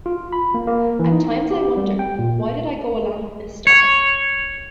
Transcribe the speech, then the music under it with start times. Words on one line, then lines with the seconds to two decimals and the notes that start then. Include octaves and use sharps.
At times I wonder, why did I go along with this stuff?
0.06 F4
0.33 B5
0.54 A#3
0.67 A#3
0.99 E3
1.12 D#4
1.51 G4
1.77 G3
1.99 G5
2.19 A#2
3.67 C#5